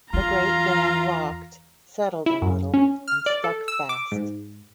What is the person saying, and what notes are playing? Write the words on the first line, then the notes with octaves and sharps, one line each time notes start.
The great van rocked, settled a little, and stuck fast.
E2 F4 F5 A#5
E4
F#2
C#4
F6
D5
A4
E6
D6
G#2